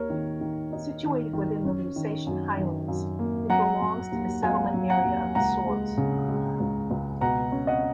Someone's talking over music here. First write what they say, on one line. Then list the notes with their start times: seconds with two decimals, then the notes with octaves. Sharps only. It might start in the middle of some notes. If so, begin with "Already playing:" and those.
Situated within the Lusatian Highlands, it belongs to the settlement area of the Sorbs.
Already playing: D#2 A#4 C#5
0.10 D#3
0.41 D#3
0.73 D#4
1.03 D#3
1.33 D#3
1.65 C#4
1.96 D#3
2.27 F#2
2.57 D#3
2.88 F#2
3.19 A#3
3.50 F#3 F#5 A#5
3.82 F#3
4.12 D#2
4.43 F#3 F5 G#5
4.74 F#3
4.90 F#5 A#5
5.05 D#2
5.35 C#2 F#5 A#5
5.66 G#3
5.97 C#3
6.29 G#3
6.60 C#2
6.91 C#2
7.21 B2 F#5 A#5
7.52 C#4
7.67 D#5 F#5